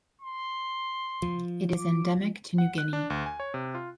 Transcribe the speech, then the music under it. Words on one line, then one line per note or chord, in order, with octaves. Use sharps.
It is endemic to New Guinea.
C6
F3
D6
F#5
F#6
D4
D2
G#5
C#5
C3
F4